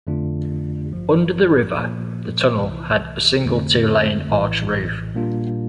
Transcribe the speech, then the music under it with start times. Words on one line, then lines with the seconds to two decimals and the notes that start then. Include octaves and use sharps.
Under the river the tunnel had a single two-lane arched roof.
0.07 F2 D3 A3 D4 F4
0.91 A1 G2 F3
1.76 A#2 F3 A#3
2.60 C2 C3 E3
3.45 F2 D3 A3 C4
4.29 A#1 A2 E3
5.15 A#2 G3 A#3 D4 F4